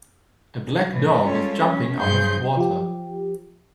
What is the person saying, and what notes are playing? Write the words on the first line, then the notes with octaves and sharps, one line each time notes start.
A black dog is jumping out of water.
A2 E3
G3 G#3 C#4 F4 A4 C#5
C#4
G2 F#3 G#4 C5 C6 G6
F3 G4